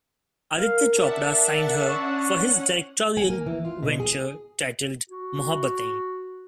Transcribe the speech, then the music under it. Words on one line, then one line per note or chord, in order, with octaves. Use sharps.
Aditya Chopra signed her for his directorial venture titled "Mohabbatein".
A#4 F5
D4 E5 F#5 A5
C#4 F#5 C#6
G#5
A#3
E3
F4
B2
G#4
F#4